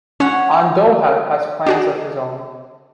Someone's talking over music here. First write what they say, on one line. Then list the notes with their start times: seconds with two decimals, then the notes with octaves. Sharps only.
Andoheb has plans of his own.
0.20 C#4 C#5 F#5
1.67 D4 F#4 G#4